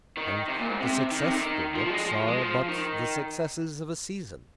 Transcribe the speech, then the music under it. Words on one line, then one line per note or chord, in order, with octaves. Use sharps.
And the successful books are but the successes of a season.
D#3
C3
A#2
G#2
C3
D#3
C3
D#3
F3
F3
G#3
F3
F3
G#3
F3
D#3